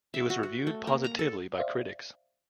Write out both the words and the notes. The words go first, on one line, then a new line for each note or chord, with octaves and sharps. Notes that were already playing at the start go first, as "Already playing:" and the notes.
It was reviewed positively by critics.
E5
F#4
F#4
A3
A#3
A#5
A4
C5 D5 E5 F5